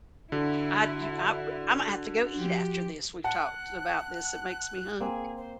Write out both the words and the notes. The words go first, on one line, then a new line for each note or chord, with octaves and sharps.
I do Ima Imma have to go eat after this, we've talked about this, it makes me hungry,
D3 E4 F#4
F3 G4
F#5 A5 F#6
A#3 C4 G#4
C5